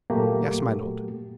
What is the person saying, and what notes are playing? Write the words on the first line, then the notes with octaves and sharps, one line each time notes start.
"Yes, my lord."
A#2 F#3 A3 A#3 F#4 G4